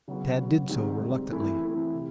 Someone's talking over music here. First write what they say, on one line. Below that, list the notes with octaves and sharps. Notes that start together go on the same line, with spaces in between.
Tad did so reluctantly.
C#3 F#3 B3
C#3 F#3 B3
G#2 D#3 G3 C4
G#2 D#3 G3 C4
E3 A3 C4 E4
E3 A3 C4 E4
C3